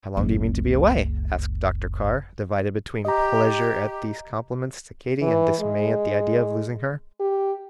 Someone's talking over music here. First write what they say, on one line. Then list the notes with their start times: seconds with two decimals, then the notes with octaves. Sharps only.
"How long do you mean to be away?" asked Dr. Carr, divided between pleasure at these compliments to Katy and dismay at the idea of losing her.
0.17 F#1 C#2
3.05 G4 D#5 A#5
5.22 E3
5.60 G#3
7.20 G4